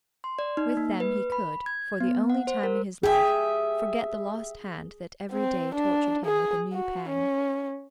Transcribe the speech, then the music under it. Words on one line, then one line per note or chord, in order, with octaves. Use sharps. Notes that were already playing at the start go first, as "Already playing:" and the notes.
With them he could, for the only time in his life, forget the lost hand that every day tortured him with a new pang.
C6
D5
D#4
A#3
B4
B5
G#6
B3
F#5
C5
A#4
G4 G#4 E5
C4
D4
G#4
F#4
C#4